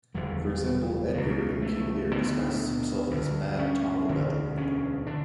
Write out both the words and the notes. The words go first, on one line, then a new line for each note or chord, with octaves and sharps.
For example, Edgar in "King Lear" disguises himself as mad "Tom o' Bedlam".
F#1 E2 D3 G3
C#2 B2
A3
D2 D3 B3
D2 D3
C#4
E1 D2 D3
C#4
D3 D4